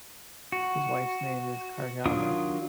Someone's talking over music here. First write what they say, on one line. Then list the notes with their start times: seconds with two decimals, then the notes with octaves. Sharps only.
His wife's name is Karnjana.
0.52 F#4
2.06 D#3 F#3 D4 F4 D#6